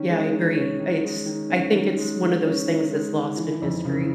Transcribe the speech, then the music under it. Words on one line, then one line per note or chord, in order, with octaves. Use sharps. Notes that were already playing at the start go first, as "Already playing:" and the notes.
Yeah, I agree. I it's I think it's one of those things that's lost in history,
Already playing: D#3 C#4
G#3
D#3
C#4
D#3
G#3
D#3
C#4
D#3
G#3
D#3
C#4
D#3
G#3
D#3
E3
F2
C#3